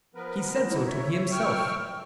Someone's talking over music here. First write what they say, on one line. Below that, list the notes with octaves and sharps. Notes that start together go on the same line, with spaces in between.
He said so to me himself.
F3 B3 A#4 B4
G2 E3 D#4 E4
C#5 E5
G5 C#6 E6 F6